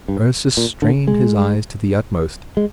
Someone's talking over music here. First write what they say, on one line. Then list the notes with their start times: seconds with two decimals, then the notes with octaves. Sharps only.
Ursus strained his eyes to the utmost.
0.08 G2
0.57 A#2
0.82 D3
1.07 G#3
2.57 G#3